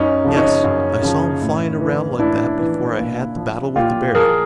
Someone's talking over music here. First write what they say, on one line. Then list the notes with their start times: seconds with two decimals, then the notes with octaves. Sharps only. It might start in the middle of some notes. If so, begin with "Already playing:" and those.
Yes, I saw him flying around like that before I had the battle with the bear.
Already playing: F#2 C#4 D#4
0.24 C#3 F3
0.37 C#4 D#4
0.64 F#2
1.03 C#3 F3
1.42 A2
1.80 E3
2.19 A2 D4 E4
2.59 E3
2.97 A#2
3.37 F3
3.76 A#2 F4 G4
4.15 F3 G#4 A#4